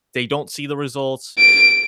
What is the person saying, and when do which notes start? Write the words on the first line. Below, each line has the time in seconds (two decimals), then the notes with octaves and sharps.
They don't see the results,
1.39 D7